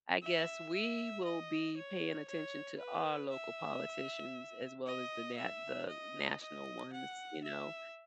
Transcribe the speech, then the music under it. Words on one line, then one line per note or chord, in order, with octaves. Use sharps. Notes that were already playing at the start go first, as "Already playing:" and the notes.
I guess we will be paying attention to our local politicians as well as the na the national ones, you know.
E5
E5
D#5
C#5
C#5
B4
E5
D#5
E5
D#5
D#5
F#5
E5